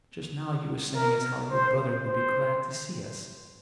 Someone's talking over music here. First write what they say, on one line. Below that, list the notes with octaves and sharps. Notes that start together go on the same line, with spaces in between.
Just now you was saying as how your brother would be glad to see us.
A#4
C5
C5